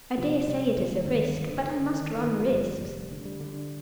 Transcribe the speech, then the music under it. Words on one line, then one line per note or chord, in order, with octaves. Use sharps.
I dare say it is a risk; but I must run risks.
C3 F3
C3 G3
D2 F3
G2 D#3
G2
D3
D3
D3 D#3
D#3
G1
F3
G1
F3
F1 G3
D3
G3
D3